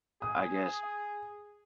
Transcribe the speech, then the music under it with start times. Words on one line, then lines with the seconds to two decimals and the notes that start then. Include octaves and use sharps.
I guess,
0.22 G#4 D#6